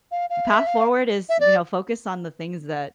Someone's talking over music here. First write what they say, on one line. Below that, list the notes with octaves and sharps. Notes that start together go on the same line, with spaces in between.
path forward is, you know, focus on the things that
F5
F5
E5
F5
E5
D5